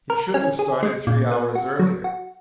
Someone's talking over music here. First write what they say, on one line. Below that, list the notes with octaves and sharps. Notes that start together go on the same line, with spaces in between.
He should have started three hours earlier.
A#4
C#4
G#4
G#3
A#2
B3
F#4
F#3
F#4